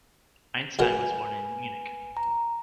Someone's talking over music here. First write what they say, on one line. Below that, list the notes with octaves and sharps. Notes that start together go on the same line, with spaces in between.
Einstein was born in Munich.
C#2 F#3 A#4 B4 G#5
A#5